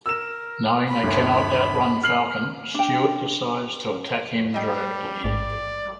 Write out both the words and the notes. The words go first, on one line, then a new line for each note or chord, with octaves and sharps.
Knowing they cannot outrun Falcon, Stuart decides to attack him directly.
A#4 E6 E7
B5
G1 D#2
F6 C7 F#7
D4 G5
G3 D#5 G5
A1 G#2 D5